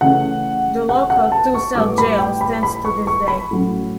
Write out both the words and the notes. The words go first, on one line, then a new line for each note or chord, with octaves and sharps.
The local two-cell jail stands to this day.
C#3 E3 A3 C#4 F#5
F#5
F#5
A5
C#6
A2 G3 B3 D6
B5
G5
B5
B5
C#6
C#6
B5
A2 F#3 C#4